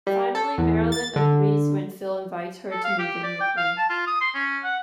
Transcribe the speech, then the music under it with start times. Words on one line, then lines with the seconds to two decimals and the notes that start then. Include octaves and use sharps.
Finally, Marilyn agrees when Phil invites her to move in with him.
0.07 G3
0.35 A4
0.58 E2
0.92 A6
1.16 D3
2.71 A4
2.84 F5
2.99 G4
3.23 D5
3.41 G5
3.57 F5
3.78 A5
3.90 F4
4.07 D#6
4.21 C6
4.35 C#4
4.64 F#5